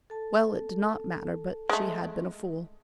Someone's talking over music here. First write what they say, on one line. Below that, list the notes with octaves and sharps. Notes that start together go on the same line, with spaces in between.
Well, it did not matter, but she had been a fool.
A4 A5
G#3 A3